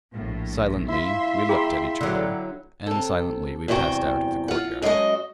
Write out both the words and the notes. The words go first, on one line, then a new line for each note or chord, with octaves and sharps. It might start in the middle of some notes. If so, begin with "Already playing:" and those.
Silently we looked at each other, and silently we passed out of the courtyard.
A#1 A2
E4 F4 E5 C6
G#4 G5 A#5 B5
D3 F#3
C3 A4
E2 G2 C3 F#4 G5
F4 F#5
F#2 G#3 F#4 G4 D#5